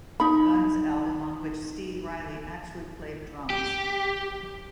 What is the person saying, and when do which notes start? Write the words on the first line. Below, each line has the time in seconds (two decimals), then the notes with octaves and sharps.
Guns album on which Steve Riley actually played drums.
0.20 D#4 B5
3.50 G4